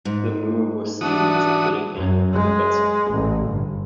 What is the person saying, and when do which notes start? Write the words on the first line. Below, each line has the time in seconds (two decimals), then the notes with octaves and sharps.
The move was seen as a fitting end for the vessel.
0.05 G#2
1.01 E3 D4 F#4 D#6
1.95 F#2
2.33 G#3
3.11 A1
3.46 G1